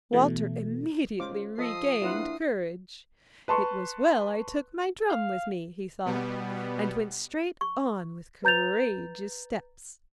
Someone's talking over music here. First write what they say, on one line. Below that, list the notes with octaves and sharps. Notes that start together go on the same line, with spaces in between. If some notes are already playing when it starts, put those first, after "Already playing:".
Walter immediately regained courage. 'It was well I took my drum with me,' he thought, and went straight on with courageous steps.
B2 E3 A3
C#2 C5 F5 D6
F3 A4 D#5 D#6 C7
A#1 D4 E4 F4 B4 E5 F#5
B4 A5 C6 C#6
F5
B2 G3 B3
C#6
B4 A#5 G6 A6 F7